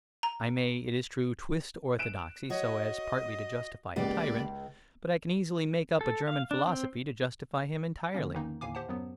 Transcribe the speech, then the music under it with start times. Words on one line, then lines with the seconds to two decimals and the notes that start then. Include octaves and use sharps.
I may, it is true, twist orthodoxy so as partly to justify a tyrant. But I can easily make up a German philosophy to justify him entirely.
0.23 A#5
1.99 F#6 D7 E7
2.50 F#4 C#5 D#5
3.96 C#2 A#3 B3 G4 D5
6.01 A4
6.28 F5
6.51 D4
6.67 C4
8.14 D3 F3 A#3 C#4
8.34 E2 G#2 D#3 E3 A#3 D#4
8.61 G1 D#2 A2 F5 G#5 D6
8.75 G4 C5 F#5 A5
8.88 F#2 F#3 B3